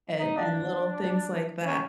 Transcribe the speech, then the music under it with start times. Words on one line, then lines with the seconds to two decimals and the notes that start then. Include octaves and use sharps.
and and little things like that,
0.15 D#4
0.36 D4
1.65 C#4